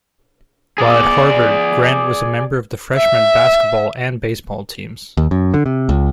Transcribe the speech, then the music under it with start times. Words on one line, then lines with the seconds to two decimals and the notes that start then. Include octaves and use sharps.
While at Harvard, Grant was a member of the freshman basketball and baseball teams.
0.78 G#4 D5
2.96 E5
5.17 D#2
5.31 F#2
5.54 D3
5.66 C3
5.89 C#2